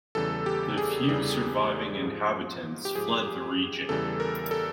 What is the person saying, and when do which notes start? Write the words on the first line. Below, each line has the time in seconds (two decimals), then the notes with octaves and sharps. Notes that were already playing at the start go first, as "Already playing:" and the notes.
The few surviving inhabitants fled the region.
0.15 E2 C#3 E3 G3 A4
0.46 G4
0.78 G#4
1.09 E2 C#3 E3 G3 G#4
2.02 G#2 F3
2.85 G4
2.95 G#2 F3 G#4
3.89 E2 C#3 E3 G3 A4
4.20 A#4
4.51 A4